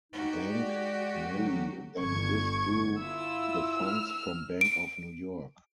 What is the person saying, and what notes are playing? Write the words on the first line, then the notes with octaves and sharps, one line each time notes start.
Bank Melli then withdrew the funds from Bank of New York.
D#4 F#4 G4
G#3 D5
D3 F#3
G1 C#6 G#6
E4 F4 E6
F6
D7